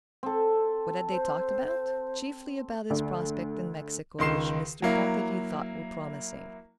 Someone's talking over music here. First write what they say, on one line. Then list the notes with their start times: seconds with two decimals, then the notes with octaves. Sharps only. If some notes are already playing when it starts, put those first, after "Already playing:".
What had they talked about? Chiefly about his prospects in Mexico, which Mr. Pontellier thought were promising.
0.23 C4 A4
1.11 C5
2.90 D2
4.19 C#2 D#3 C6 C7 E7
4.82 F#3 A#3 E4